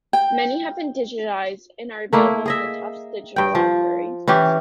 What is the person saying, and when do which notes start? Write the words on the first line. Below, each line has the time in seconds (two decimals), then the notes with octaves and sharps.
Many have been digitized and are available in the Tufts Digital Library.
0.13 G5
2.13 A3 A#3 E4
2.46 G#4 D#5 E5
3.36 G2 G5
3.55 F3
4.28 E3 C#4 G4